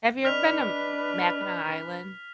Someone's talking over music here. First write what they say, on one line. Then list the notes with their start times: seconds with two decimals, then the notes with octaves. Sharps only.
have you ever been to Mackinac Island?
0.25 D4 B4 D5 D#5 F6 B6 F7